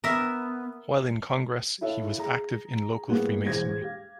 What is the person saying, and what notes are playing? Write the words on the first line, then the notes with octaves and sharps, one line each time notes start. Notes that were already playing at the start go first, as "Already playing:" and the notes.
While in Congress, he was active in local Freemasonry.
B3 A#4 E5
E4 F#4 A4 C#5 E5 F5
G#4 A#5
A2 G3 A#3 B3 F#4 G#4
E1 E2 C5 G#6 A#6
G4 F5